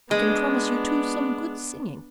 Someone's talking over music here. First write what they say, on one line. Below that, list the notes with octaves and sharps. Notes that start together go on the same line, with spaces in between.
I can promise you, too, some good singing.
G#3 B3 D4